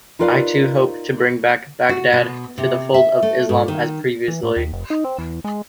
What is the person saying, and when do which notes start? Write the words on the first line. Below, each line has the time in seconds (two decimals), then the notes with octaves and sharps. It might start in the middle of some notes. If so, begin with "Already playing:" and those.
I too hope to bring back Baghdad to the fold of Islam as previously.
0.19 D#4 F4 A#4 B4 D5 F5
1.89 F#4
2.13 B2
2.58 C3
2.94 E5
3.22 A3
3.49 G#2
3.68 D#3
4.28 E3
4.43 A2
4.57 D#2
4.73 F1
4.90 D#4
5.04 C4
5.18 E2
5.44 G#3